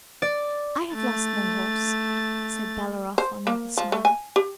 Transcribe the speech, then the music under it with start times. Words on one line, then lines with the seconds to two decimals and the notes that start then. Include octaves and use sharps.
"I have lost no horse," said Bellerophon, with a smile.
0.22 D5
0.95 A3 A6
3.18 C5
3.47 A#3
3.77 F3
3.92 A3
4.05 G#5
4.36 G4